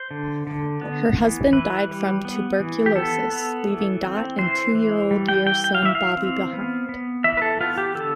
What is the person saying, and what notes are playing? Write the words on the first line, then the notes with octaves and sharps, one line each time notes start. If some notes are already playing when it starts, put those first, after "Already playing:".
Her husband died from tuberculosis, leaving Dot and two-year-old year son Bobby behind.
Already playing: C5
D3
D3
B3
E3
E3 B4
G3
B3
E3
G4
B3 A4
B3
E3
C4
E3 C5
E3
G3
G5
E3 G5
G5
F5
E3 E5
F5
C4
B3
B3
E3 E5
B4
A4
B3 F4
G4
D3 A4